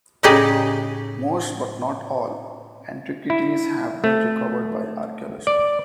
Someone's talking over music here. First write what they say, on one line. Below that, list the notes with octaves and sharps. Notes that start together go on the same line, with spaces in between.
Most, but not all, antiquities have been recovered by archaeology.
A2 C#3 D#4 G4 G#4 D5
E4
A3
D5